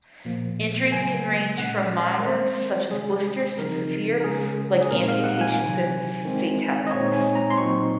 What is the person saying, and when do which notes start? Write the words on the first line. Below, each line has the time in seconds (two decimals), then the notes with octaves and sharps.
Injuries can range from minor such as blisters to severe like amputations and fatalities.
0.25 A#2 F3 A#3
0.92 C#3 F#3 A#3 G#5
1.58 A#2 G#3 C#4 F#5
2.19 A#4
2.24 D#3 G#3 C4 C5
2.91 C3 D#3 G#3 C#4 G#4
3.58 C#3 F3 C4 D#4 A#4
4.20 A#4
4.24 C#3 G#3 C#4 G#4
4.81 G#4
4.91 A#2 G#3 C4 D#4 A#4
5.08 F5
5.24 F#5
5.41 G#5
5.58 C3 D#3 F#3
6.24 D#3 G#3 C4
6.87 D#5
6.91 A#2 G#3 C4 D#4 C#5
7.13 G#5
7.35 A#5
7.50 C6
7.58 A#2 F#3 C4 D#4 C#6